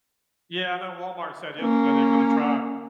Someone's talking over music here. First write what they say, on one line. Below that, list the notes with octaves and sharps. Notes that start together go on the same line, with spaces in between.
Yeah, I know Walmart said yesterday they're gonna try
A#3 C#4